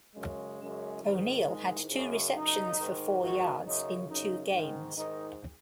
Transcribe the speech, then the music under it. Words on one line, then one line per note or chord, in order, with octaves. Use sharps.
O'Neal had two receptions, for four yards, in two games.
F#2 C#3 G#3
F#2 C#3
G#2 D#3
G#2 D#3 G#3
F#2 C#3 G#3
F#2 C#3 D#4
G#2 D#3
G#2 D#3 F#4
F#2 C#3 D#4
F#2 C#3 D#4
G#2 D#3
G#2 D#3 D#4